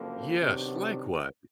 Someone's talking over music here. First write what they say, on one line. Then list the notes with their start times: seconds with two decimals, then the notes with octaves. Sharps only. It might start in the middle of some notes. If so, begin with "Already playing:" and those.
Yes, likewise.
Already playing: F#1 F2 D3 F3 A#3
0.39 C3 D#3 F#3 B3 D4